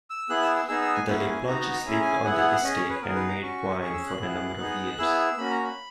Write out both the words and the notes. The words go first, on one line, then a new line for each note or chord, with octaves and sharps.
The Laplanches lived on the estate and made wine for a number of years.
E6
B3 E4 G#4 F#6
E6
E6
B3 D#4 G#4 E6
E6
G#5
A#3 C#4 E4 G#4 F#5
F#5
G#5
B3 D#4 F#4 A#5
C#4 E4 G#4 G#5
A#5
G#5
B3 E4 G#4 F#5
F#5
F#5
C#4 G#4 D#5
C#5
B4
B3 D#4 G#4 A#4
B4
A#5
C#4 F#4 C#6
C#4 G#4 C#6
E6
F#6
B3 E4 G#4
B3 D#4 G#4
B3 E4 G#4 E6
A#3 C#4 F#4 B5
A#5
B5